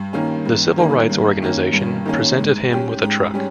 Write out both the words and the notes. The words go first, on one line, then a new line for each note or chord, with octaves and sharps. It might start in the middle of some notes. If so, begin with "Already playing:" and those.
The civil rights organization presented him with a truck.
Already playing: G2
D#3 A#3 C#4
G2
D#3 A#3 C#4
G2
D#3 A#3 C#4
G2
D#3 A#3 C#4
G#2
G3 C#4 G4
G#2
G3 C#4